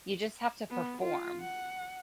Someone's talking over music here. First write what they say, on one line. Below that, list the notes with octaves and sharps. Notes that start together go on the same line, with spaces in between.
you just have to perform.
B3
F4
F#5